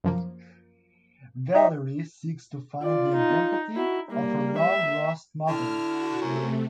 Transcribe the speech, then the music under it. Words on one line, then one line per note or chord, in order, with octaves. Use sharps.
Valerie seeks to find the identity of her long lost mother.
F#2 F3 A#3
D#4 E5
F4 D5
D#4
E4 F#4
G3 A#3
E5
D3 E4 F6
F#4
F#2 C3 A3